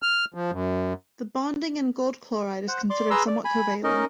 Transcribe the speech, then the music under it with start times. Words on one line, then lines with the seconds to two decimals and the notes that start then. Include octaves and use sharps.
The bonding in AuCl is considered somewhat covalent.
0.02 F6
0.34 F3
0.51 F#2
2.68 C5 F#5
2.90 D5 C6 D6
3.10 G#4 B4 A#5 C6 E6
3.27 D5
3.45 G#5 B5
3.84 C#4 D#4 A#4 D#5